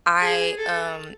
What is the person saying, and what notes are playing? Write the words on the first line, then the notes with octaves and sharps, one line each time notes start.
I, um,
G#4
A4